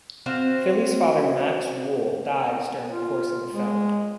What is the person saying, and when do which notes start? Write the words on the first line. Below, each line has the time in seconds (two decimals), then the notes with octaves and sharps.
Philly's father, Max Wohl, dies during the course of the film.
0.26 C4 F#4 C5 F5
2.90 F4
3.53 G#3